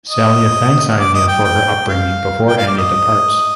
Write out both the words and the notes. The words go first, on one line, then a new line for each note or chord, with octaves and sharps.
Salia thanks Anya for her upbringing before Anya departs.
D#5
D5
D#5
G5
G5
F5
G5
F5
D5
D#5